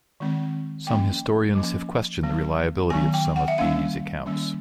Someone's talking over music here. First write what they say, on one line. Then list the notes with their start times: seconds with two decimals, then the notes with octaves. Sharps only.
Some historians have questioned the reliability of some of Bede's accounts.
0.20 D#3 G#3 C4
0.87 F3 A#3 C#4 G5
1.55 F3 A#3 C#4
2.23 D#3 F#3 B3
2.90 D#3 F#3 B3 G#5
3.14 G5
3.36 F#5
3.48 E5
3.58 D#3 G3 A#3 C#4 F5
4.26 D#3 G3 A#3 C#4